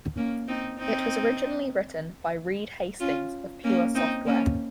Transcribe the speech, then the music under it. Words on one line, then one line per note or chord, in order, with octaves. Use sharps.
It was originally written by Reed Hastings of Pure Software.
A#3 C#4
C4 D#4
C4 D#4
C#4 F4
A#3 C#4
C4 D#4
A#3 C#4